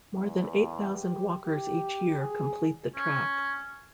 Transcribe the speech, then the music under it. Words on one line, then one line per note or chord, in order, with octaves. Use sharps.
More than eight thousand walkers each year complete the track.
E2
G4
G4
G#4
C#4